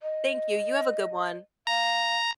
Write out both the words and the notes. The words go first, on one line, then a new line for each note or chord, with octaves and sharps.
Thank you. You have a good one.
D#5
F5 A#5